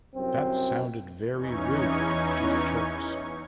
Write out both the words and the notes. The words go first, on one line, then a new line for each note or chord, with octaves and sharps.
That sounded very rude to the Turks.
C2 F#2 C4
E2 E3 C#4 D#4 C#6 G#6